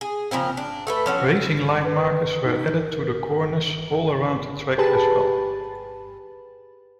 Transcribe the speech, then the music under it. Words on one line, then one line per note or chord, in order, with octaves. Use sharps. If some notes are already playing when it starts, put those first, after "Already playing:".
Racing line markers were added to the corners all around the track as well.
G#4
C#3 F3 A#3 C4
D4
A3 A4 B4
F3 C#4 F#4
B4
D#4
A#4
G4 G#4 B4 A5